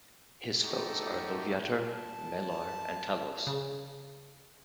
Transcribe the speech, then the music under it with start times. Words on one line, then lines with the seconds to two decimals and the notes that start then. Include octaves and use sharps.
His foes are Loviatar, Malar and Talos.
0.65 A3 D#4 F#4 G4 A4
1.87 A5
3.47 C#3